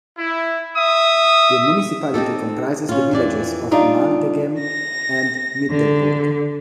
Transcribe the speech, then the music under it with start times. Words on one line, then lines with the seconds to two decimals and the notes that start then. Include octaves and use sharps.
The municipality comprises the villages of Maldegem, and Middelburg.
0.18 E4
0.77 E5 D#6
2.14 C4 D#4 G4 A4
2.89 C#4 F4
3.11 F2 E3 D5
3.71 G3 D4 D#4 F4
4.60 A#6
5.70 D3